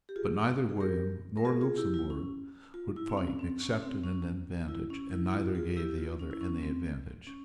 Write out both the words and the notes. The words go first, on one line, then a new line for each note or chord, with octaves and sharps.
But neither William nor Luxemburg would fight except at an advantage; and neither gave the other any advantage.
G4
F4 G#4
G#4
G4 A#4
A#4
F4 G#4
F4 G#4
E4 G4
E4
C#4
F4
E4
C4
C#4
C4
C#4
C4
C#4
E4
C#4
E4
E4
F4
F4 G#4
E4 G4
F4
C#4
E4
C#4
C4
C#4